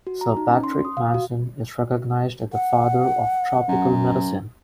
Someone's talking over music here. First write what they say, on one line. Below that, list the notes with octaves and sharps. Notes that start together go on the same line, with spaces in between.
Sir Patrick Manson is recognised as the Father of Tropical Medicine.
F#4
A#5
D#4
C#4
C6
D#6
F5
F#4
F#5
F#2